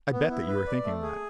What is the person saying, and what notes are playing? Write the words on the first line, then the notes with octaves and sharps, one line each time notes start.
I bet that you are thinking that.
B3
E4
B4
D5
A3
G#4